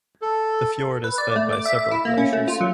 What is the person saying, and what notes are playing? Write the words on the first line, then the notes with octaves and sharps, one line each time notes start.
The fjord is fed by several glaciers.
A4
B4
D5
A3
D6
E5
E5
E4
A#3
C#4
A3
F4
F#3